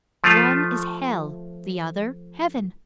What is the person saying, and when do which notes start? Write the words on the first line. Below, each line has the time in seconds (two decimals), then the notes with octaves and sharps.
One is Hell--the other Heaven.
0.24 F3 A3 F4